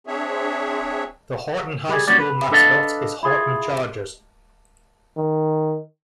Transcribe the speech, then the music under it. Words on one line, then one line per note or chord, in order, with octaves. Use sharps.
The Horton High School mascot is Horton Chargers.
C4 D4 G#4 C#5 E5
G3 G#4
G3 A#3 C#4 D4 F#4 D5
B4
D4 A4 B4 D#5 F5 A5
E4 F4 G#4
D#3